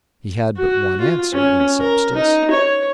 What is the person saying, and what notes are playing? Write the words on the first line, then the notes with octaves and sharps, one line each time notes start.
He had but one answer, in substance.
F#4
F4
C#4
A#4
D#4
C#5